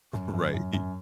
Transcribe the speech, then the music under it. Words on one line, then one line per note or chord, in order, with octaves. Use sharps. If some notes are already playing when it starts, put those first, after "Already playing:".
Right, he
F#2
F#2
F#2
F#2